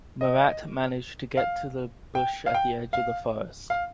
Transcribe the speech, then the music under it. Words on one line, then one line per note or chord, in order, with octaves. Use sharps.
Marat managed to get to the bush at the edge of the forest.
D#5
F5
G5
F5
G5
F5
F5